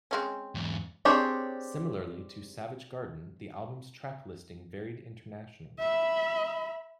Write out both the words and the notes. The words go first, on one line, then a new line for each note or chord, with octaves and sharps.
Similarly to "Savage Garden", the album's track listing varied internationally.
G#3 C4 C#4
E2 G#2
C4 D4 G4 G#4 C#5
E5 B5